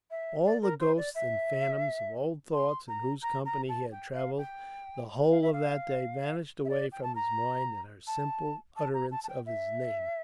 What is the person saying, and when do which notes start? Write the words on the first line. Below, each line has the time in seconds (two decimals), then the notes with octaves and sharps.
All the ghosts and phantoms of old thoughts in whose company he had travelled the whole of that day vanished away from his mind at her simple utterance of his name.
0.11 E5
0.45 D5
0.62 A#4
0.80 C5
0.97 D5
1.15 E5
2.53 C6
2.88 A#5
3.22 A#5
3.45 A#5
3.69 A5
3.92 G5
4.14 F5
4.38 G5
5.30 F5
5.42 E5
5.53 F5
6.65 E5
6.69 D5
6.92 G5
7.03 A5
7.15 A#5
8.07 A5
8.76 A5
8.94 A#5
9.11 A5
9.24 A5
9.29 G5
9.46 E5